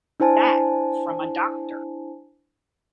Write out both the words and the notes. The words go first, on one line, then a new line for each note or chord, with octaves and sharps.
That from a doctor!
D4 E4 C5 G#5 A5